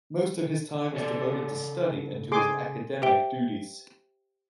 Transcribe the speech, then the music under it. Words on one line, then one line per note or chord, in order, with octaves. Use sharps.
Most of his time was devoted to study and to his academic duties.
C#3 A4 D5
G#4 C6 D6
G4 C5 E5 G5 D7 G7